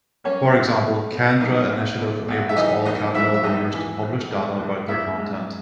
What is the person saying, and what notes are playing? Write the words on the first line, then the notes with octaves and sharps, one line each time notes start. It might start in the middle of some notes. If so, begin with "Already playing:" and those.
For example Kendra Initiative enables all catalogue owners to publish data about their content.
A#3 C#4 C#5
B1
B2
B1
A#3 D#4 D#5
B1
B2
B1
E5
E3 D#4 D#5
A#1 D#4 D#5
G#2 E4 E5
E5
A#1 D#4 D#5
E3
A#1
G#2
A#1
A#3 E4 E5
G#2